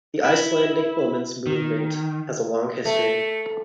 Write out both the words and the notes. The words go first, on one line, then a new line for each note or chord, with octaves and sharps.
The Icelandic women's movement has a long history.
E4
D#3
A3